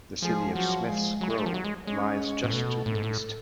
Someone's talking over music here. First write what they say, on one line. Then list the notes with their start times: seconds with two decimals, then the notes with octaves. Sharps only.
The city of Smiths Grove lies just to the east.
0.22 F3 G#3 G#4
0.55 F3 F#3 F#4
0.88 G#3 G#4
1.21 F#3
1.30 G#3
1.38 A3
1.46 F3
1.54 F#3
1.64 G#3
1.87 G#3 C#4 C#5
2.44 A2
2.52 B2 A3 A4
2.86 A2
2.95 G#2
3.03 A2